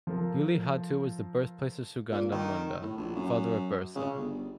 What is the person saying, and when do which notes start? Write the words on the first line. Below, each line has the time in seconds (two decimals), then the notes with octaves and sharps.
Ulihatu was the birthplace of Sugana Munda, father of Birsa.
0.07 F3 F4 A4 A#4
2.11 A#2
2.32 D#3
2.81 A2
2.98 A#1
3.15 F#2
3.96 C#3
4.17 G1